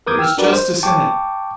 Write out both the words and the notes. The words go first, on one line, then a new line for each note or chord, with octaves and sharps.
There is justice in it.
A#4 B4 D6 D#6 G6 G#6
G5 E6 F6
D4 F#4 A#4 B4 D5
C5
G5 A5 C#6 D6